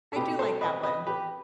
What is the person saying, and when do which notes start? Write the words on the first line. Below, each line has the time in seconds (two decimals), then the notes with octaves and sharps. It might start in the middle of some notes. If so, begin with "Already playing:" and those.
I do like that one.
0.12 A4
0.16 B2 A3 C4 G4 B4
0.39 A4 C5
0.61 B4 D#5
0.83 B4 D#5
1.07 G4 B4